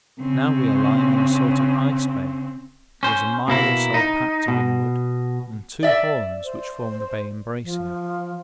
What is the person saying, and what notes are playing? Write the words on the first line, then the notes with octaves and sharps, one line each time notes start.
Now we are lying in a sort of ice bay--there is a mile or so of pack to windward, and two horns which form the bay embracing us.
C#3 C4
C#4 C5
B2 A#3 E4
D#4
B2
D5 E5
C5
F3